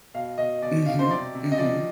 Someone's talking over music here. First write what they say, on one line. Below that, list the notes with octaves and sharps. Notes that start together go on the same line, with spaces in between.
Mhm, mhm.
B2 F5
B2 D#5
B2 D5
B2 F5
C5
C3 D5
C3
D#5
F3 D5